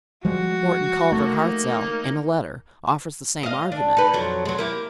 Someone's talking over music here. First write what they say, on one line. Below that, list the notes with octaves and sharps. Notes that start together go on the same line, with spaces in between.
Morton Culver Hartzell, in a letter, offers the same argument.
F3 G3 G#3 F#4
A3 A#3 D#4
D#5 F5
D4
D#4 B4
F2 F#3
F#3 G#3
A#3 E4 G4